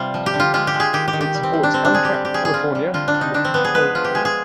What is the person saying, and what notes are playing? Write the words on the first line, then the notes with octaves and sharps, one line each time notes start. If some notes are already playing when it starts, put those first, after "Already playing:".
It supports Amtrak California and the "Capitol Corridor".
Already playing: C3 G3 F4
F3
G4
D3
F4
G#3 F4
G4
G#3
G#4
D#3 G4
G4
D#3
G4
G3
C4
G3
D4
D3 C4
D4
D3 G#4
G4
G3
G4
G3 G#4
G#4
G3 F4
G3
D3 F4
D4
G3
D#4
D3 D4
C4
F3 B3
G#4
G#3 B4
F3 F4
G4
G#3 G#4
G#4